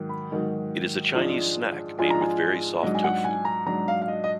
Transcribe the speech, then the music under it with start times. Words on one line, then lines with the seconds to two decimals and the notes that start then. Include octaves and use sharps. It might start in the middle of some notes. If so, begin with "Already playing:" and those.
It is a Chinese snack made with very soft tofu.
Already playing: G#2 D#3 F#3
0.09 B5
0.31 G#2 D#3 F#3
1.15 G#2 F3 G#3 D4 F4
1.99 G#2 F3 G#3 D4 F4 G#5
2.10 A#5
2.21 G#5
2.82 G#2 F#3 D4 D#5
2.94 G#5
3.04 F#5
3.24 G#5
3.45 A#5
3.66 G#2 F#3 D4 A#5
3.88 F5
4.02 F5
4.08 D#5
4.24 D#5